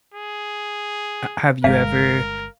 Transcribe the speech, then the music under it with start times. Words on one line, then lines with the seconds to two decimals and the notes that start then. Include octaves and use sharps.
A have you ever
0.14 G#4
1.64 G1 G#3 A#4 F5